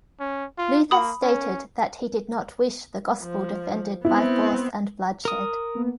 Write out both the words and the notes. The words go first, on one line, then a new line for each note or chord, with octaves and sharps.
Luther stated that he did not wish the Gospel defended by force and bloodshed.
C#4
F4
A#3 B5 D#6
C#4
F3
B3 C4 E4
A#4 D#6
A#3 B3